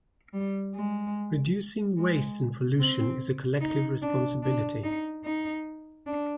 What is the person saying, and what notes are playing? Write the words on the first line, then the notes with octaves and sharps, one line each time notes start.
Reducing waste and pollution is a collective responsibility.
G3
G#3
G#3
C4
D#4
D4
D4
D#4
D#4
D4